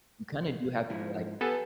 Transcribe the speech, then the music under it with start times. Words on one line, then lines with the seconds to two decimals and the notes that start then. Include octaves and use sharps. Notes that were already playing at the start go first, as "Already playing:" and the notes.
you kind of do have to, like,
0.90 G#2 F3 E4
1.41 B3 G4 A4 G#5